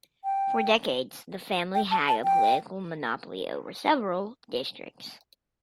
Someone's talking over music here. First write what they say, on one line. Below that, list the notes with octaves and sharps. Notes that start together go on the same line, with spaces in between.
For decades, the family had a political monopoly over several districts.
G5
G5
A5
A5
G5